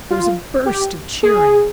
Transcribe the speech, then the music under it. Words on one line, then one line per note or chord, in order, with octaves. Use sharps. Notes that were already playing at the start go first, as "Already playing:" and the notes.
There was a burst of cheering.
F4
G4
G#4